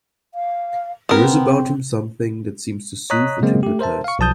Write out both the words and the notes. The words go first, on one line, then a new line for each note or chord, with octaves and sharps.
There is about him something that seems to soothe and hypnotize.
F5
B3 C4 A#4
C#5 D#5 A#5 D#6 F#6 B6
C#3 F#3 G#3 A#3 C4
A3 G4
A#4 C5 E5 A5
F5 C#6
B1 F3 A5 D#6 G6